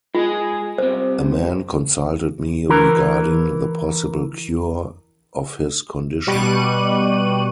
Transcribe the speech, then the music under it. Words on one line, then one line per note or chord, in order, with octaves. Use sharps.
A man consulted me regarding the possible cure of his condition.
G#3 F4 G#4
C2 C3 C5
E3 A#4
B2 G3 C#6 D6 F#6 D#7